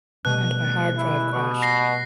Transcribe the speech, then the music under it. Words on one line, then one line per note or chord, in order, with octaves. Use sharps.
And my hard drive crashed.
B2 G3 A3 F#6
A6
E3 G#3 E4
B2 C#6 D6
A#6 C7